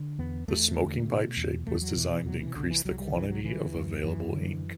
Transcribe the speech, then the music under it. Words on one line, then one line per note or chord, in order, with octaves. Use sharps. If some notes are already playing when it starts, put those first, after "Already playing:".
The "smoking pipe" shape was designed to increase the quantity of available ink.
Already playing: D3
E2 B3
E2 A3
D3
B2
E2
E2 A3
F#3
B2 E3
E3
C3 F#3
E3
C2 D3
E3
C2 F#3
G3
C3 E3
F#3
D3 E3
F#2
F#2 E3
D3